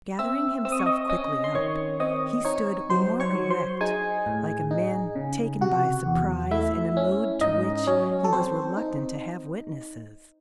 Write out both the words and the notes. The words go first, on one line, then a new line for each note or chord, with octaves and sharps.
Gathering himself quickly up, he stood more erect, like a man taken by surprise in a mood to which he was reluctant to have witnesses.
C4 E5 E6
C4 E6
D#6
C#6
D#5 D#6
C#4 D#5 D#6
C6
D#3 C#5 C#6
C4 D#5 D#6
D#4 C#5 C#6
F#3 C5 C6
C#5 C#6
F#3
C5 C6
D#4 G#4 G#5
A2
D#4
C#3
C3 F#4 F#5
E2
A3 E4 E5
C#4
G#2 D#4 D#5
F#3 C#4 C#5
A4
C4 C5
D#4